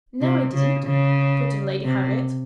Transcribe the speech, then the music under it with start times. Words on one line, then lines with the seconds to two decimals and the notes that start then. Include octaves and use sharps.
"No, I didn't," put in Lady Harriet.
0.21 C3
0.53 C#3
0.86 C#3
1.84 C3